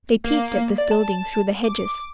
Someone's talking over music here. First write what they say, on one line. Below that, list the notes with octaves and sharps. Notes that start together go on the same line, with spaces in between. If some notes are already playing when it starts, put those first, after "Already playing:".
They peeped at this building through the hedges.
A#3
D5
A5
D6